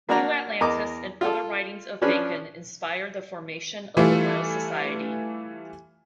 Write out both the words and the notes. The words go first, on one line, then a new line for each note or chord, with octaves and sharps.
"New Atlantis" and other writings of Bacon inspired the formation of the Royal Society.
A#3 D4 F#4 D5 A#5
E2 A#4 D#5 D6
F4 A4
F3 C#4 D4 B4
E3 G3 A3 E4 F4